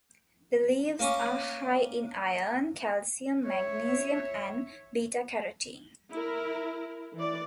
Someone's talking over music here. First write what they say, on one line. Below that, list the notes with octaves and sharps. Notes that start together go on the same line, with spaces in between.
The leaves are high in iron, calcium, magnesium, and beta carotene.
A#3 C#4 D6
C#5 E5
E4 A#4
E3 D5